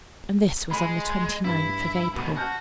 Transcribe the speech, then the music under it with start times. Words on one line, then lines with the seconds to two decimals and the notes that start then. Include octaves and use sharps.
And this was on the twenty-ninth of April.
0.71 G#3 B5
1.44 G2 E4
2.14 D2 B2
2.36 F#4 A5 F6 G6